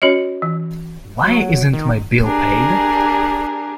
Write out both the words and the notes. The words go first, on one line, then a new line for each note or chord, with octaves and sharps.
Why isn't my bill paid?
C#4 F#4 C#5 D#5
E3
F#3
D#3
D4 G4 G#4 A#4